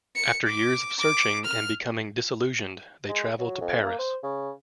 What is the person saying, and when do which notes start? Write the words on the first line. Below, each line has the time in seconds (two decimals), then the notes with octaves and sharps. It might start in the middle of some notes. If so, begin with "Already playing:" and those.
After years of searching and becoming disillusioned, they travel to Paris.
0.16 C#7
0.47 D6
0.99 D6
1.45 F6
3.09 G#3
3.39 F#3
3.61 F2
3.85 A#3
3.99 C5
4.23 C#3